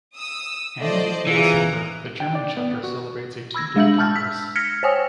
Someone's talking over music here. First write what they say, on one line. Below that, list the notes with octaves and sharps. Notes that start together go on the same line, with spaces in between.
Annually in December the German chapter celebrates a two-day congress.
D#6 E6
A3 C5 D5 D#5
E3 B3 F4 G#4 A#5
G5
D5
B3
F#4
B5 E6 G#6 A#6
G#3 D4 E5 E6 G6 F#7
A5 B5 E6 F6 G6 A6
E6 B6
F6 G#6 A#6 B6 C#7
C5 C#5 G5 G#5 D#6 E6